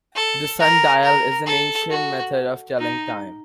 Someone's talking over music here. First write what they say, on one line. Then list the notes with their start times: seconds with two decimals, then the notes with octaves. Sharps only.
The sundial is an ancient method of telling time.
0.16 A4
0.59 A#4
1.03 A#4
1.47 A4
1.90 F#4
2.78 D#4